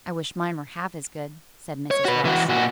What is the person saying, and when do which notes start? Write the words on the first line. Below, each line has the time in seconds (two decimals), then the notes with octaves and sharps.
"I wish mine were half as good," said Mrs. Ross.
1.91 C#5
2.05 F#4 B4
2.25 E3 F#4
2.49 A#2 F#4